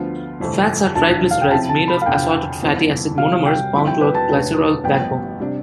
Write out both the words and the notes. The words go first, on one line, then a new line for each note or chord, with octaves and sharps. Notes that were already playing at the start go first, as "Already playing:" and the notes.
Fats are triglycerides, made of assorted fatty acid monomers bound to a glycerol backbone.
Already playing: D2 D3 F3 B3 F4
G1 F2 C3 E3 A3
E1 D2 D3 A5
F5
G5
C3 F3 C4 E4 A5
A5
B5
F5
E2 D3 F3 G5
G1 F2 E3 B3 E4
C2 C3 G3 F5
G5
G2 F3 C4 E4
G5
B4
A5
E1 D2 D3
A1 G2 F3 B3 G5
C3 G3 D4